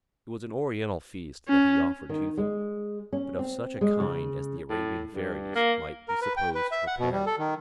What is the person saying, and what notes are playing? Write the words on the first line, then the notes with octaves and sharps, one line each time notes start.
It was an Oriental feast that he offered to them, but of such a kind as the Arabian fairies might be supposed to prepare.
C#4
D#3
G#3
C#4
C4
G#3
C#3
A2
G2
A#3
A#4
B4
G5
B4
E5
F#5
B2
G3
A4
D#3